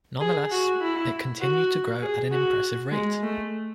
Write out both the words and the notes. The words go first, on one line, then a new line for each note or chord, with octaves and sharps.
Nonetheless, it continued to grow at an impressive rate.
G#4
F#4
E4
F#4
G#4
F#4
G#3
A3